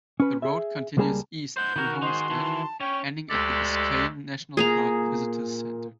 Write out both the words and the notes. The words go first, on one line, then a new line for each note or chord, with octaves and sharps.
The road continues east through Homestead, ending at the Biscayne National Park visitors center.
C#4 B4
G#4 E5
C#2 G3 A#3 G#4 A5 A#5
C5 F#5 G6
D#3 B3 F#4 A#4
D#4 G#4 C5 C6
E3 A5
C#4 C#5 G5
D2 G#3 G4 A4 D5
A#2 A#3 G#4 A#5